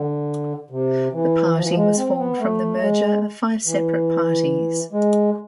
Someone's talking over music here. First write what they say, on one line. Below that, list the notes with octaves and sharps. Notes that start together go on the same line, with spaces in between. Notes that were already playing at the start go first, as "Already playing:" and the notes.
The party was formed from the merger of five separate parties.
Already playing: D3
C3
E3
F3
E3
F3
G#3
C4
B3
A3
G#3
E3
G#3